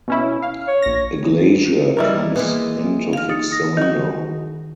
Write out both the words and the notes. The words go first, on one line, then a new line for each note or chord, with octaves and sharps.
A glazier comes in to fix the window.
B2 C#4 E4
F5
C#5
A#1 A#6
G3 E4 A#4 B4 D#5 E5
E3 G#3 A#3 B3
F5 F6
D#4 A6 C#7
D#6 A#6
D#3 D#4 F#4